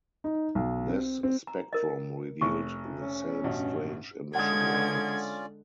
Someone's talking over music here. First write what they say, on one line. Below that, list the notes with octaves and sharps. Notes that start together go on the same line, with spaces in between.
This spectrum revealed the same strange emission lines.
D#4
B1
C4
C4
A#5
A#4 D#5
F1 C#6
C#4
A1 G2 B2
D3 G#3 C#4 F4 D5 F#5 D#6 G#6